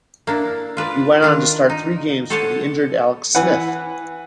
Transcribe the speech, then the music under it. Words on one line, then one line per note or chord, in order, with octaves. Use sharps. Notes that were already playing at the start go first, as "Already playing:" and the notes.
He went on to start three games for the injured Alex Smith.
A#3 D4 E4
F4 B4 D5
D#3 D4 F4
D#4
A4 C5 C#5 F#5 G#5 A5
E3 B4 F#5